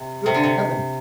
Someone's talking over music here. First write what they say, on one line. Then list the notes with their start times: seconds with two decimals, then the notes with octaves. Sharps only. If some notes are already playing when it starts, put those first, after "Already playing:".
Good heavens!
Already playing: C3
0.26 C3
0.34 D3
0.43 C3